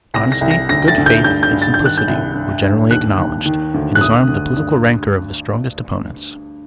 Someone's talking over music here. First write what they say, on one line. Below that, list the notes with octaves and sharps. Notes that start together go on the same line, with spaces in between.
His honesty, good faith, and simplicity were generally acknowledged, and disarmed the political rancor of the strongest opponents.
C2 A#6
A#6
C2
A#6
D2 A#6
A6
D2
G6
G2 G6
G6
G2
A6
G6
D#3
F#6
G6
C2
G2
G2
D#2 F#6
D#2
D#3
D2
F#6
D2 D#6
D2
G2